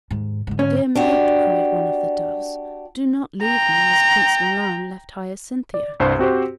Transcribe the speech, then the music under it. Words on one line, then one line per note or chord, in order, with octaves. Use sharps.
"Dear mate," cried one of the doves, "do not leave me as Prince Milan left Hyacinthia."
D#2 G#2
G#2 D3
C#4
D4 F#4 G4
G5 A#5
D5
C2 G2 C5 A5
C4 F#4 G4 C5